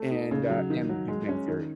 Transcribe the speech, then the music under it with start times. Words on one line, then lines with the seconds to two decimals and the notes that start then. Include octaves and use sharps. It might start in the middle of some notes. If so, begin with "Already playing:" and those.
and, uh and Big Bang Theory.
Already playing: A3
0.11 D#4
0.31 C#3
0.50 F#3
0.70 D#3
0.89 F#3
1.08 G#3
1.29 C#4
1.48 D#3